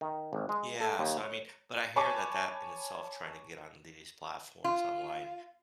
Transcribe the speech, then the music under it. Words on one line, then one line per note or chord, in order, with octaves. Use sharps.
yeah, so, I mean but I hear that that in itself tryna get on these platforms online,
D#3
G#1
G#3
A4
D#2
C#5
C#5 G#5 A5 B5 C#6 D6
F4